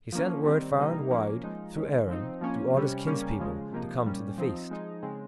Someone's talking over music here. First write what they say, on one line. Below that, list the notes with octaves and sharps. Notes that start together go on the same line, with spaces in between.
He sent word far and wide through Erin to all his kinspeople to come to the feast.
F3 A#3 C#4
D#3 G3 C4
C3 G3 A#3 D#4
F3 A#3 C#4
F3 G#3 D#4
D#3 G#3 C#4
F3 C4 D#4
F3 A#3 C#4
C3 G3 C#4
C#3 G3 A#3 C#4
C#3 F3 G#3
C3 F3 A#3 D#4
A#2 G3 C#4
F3 C4 D#4
F3 G#3 D#4
C#3 G#3 C4